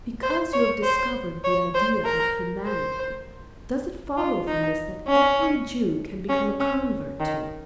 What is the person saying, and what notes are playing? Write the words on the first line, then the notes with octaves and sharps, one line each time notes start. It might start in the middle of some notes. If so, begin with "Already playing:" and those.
Because you have discovered the idea of humanity, does it follow from this that every Jew can become a convert to it?
C5
C#5
C5
C#5
C5
A#4
C5
F4
D#4
C#4
C#4
C#4
D#3